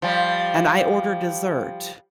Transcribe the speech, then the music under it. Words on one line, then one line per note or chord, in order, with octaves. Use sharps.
and I order dessert
F3 G3